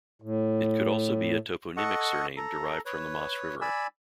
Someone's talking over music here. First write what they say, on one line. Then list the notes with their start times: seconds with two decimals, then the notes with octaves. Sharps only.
It could also be a toponymic surname derived from the Maas river.
0.22 A2
1.77 A4 D#5 F#5 C#6
2.37 A4 A#5
2.86 B4 C#5
3.61 D5 G#5 B5 E6